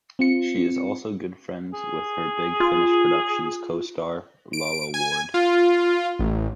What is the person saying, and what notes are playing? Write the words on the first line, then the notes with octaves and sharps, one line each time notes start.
She is also good friends with her Big Finish Productions co-star Lalla Ward.
C4 F4 C#7
G#4
F4
D7
G#5
F4
A1